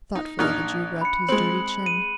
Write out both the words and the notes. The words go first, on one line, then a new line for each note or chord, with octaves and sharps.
Thoughtfully the Jew rubbed his dirty chin.
D#4
A#1 D#4 F6 F#6
B5 C#7
G#3 C4 F#7
D#7